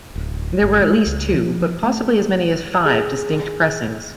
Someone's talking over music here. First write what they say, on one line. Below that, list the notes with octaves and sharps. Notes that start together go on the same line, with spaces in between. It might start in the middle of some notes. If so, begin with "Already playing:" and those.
There were at least two, but possibly as many as five, distinct pressings.
D1
G1
G#3
C#2
F3
A3
G#4